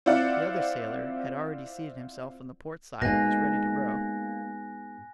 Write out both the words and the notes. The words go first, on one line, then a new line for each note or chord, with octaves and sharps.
The other sailor had already seated himself on the port side and was ready to row.
C4 E4 F4 D5 F#5
G#2 B2 A#3 G#5 F#6 A#6